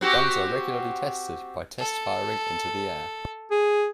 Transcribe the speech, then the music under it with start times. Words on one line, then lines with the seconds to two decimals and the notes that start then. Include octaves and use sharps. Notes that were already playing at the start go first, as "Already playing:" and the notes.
Guns are regularly tested by test-firing into the air.
0.01 C4 F#4 G4
1.79 A4
3.51 G#4